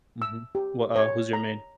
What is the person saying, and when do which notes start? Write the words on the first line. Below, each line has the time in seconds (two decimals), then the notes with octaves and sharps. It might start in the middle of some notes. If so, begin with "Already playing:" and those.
Mhm. Wha uh, who's your main?
0.22 E6
0.55 G4
0.96 C#5
1.33 A#5